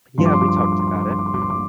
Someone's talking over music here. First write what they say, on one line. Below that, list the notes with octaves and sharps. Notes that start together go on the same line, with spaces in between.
Yeah, we talked about it. Mhm.
G2 F3 C6
D6
C6
D6
C6
D6
C6
D6
C6
D6
C6
D6
C6
D6
C6
D6
C6
D6